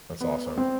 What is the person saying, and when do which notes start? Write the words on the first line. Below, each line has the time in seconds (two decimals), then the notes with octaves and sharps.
that's awesome.
0.20 B3
0.58 C4